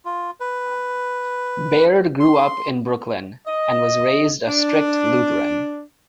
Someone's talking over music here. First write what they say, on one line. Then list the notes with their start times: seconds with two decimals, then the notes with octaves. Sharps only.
Baird grew up in Brooklyn, and was raised a strict Lutheran.
0.05 F4
0.40 B4
2.20 C6
3.47 D#5
4.48 D4